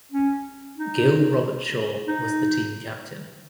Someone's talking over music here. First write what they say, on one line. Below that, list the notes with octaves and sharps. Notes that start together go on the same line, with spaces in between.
Gil Robertshaw was the team captain.
C#4
D#4
D#4